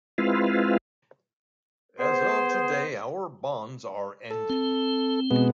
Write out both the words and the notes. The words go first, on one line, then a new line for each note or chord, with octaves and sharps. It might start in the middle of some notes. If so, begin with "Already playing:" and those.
As of today our bonds are ended.
G#3 C4 E4 F4 B4 F5
B3 G#4 C5
A4
C4
B2 G#3 B3